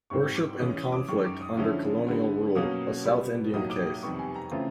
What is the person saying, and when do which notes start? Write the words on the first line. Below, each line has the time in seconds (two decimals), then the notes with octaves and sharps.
Worship and Conflict Under Colonial Rule: A South Indian Case.
0.10 G#2 D#3 G3 C4 C#6
0.35 D6
0.59 E3 G#3 C#4 D#6
0.76 D#6
0.92 D6
1.09 F#2 D#3 G#3 C#6
1.25 D6
1.42 D#6
1.57 D3 F3 G#3 C#4 E4
2.07 D3 G3 B3
2.55 B2 F#3 A#3 C#4 D#6
3.04 B2 G3 B3
3.54 A2 F#3 A#3 D#4 D#6
3.70 D6
3.86 D#6
4.03 F2 C3 D#3 G3 B3 C#6
4.19 G#5
4.36 A#5
4.51 C#3 E3 A3 C4 F4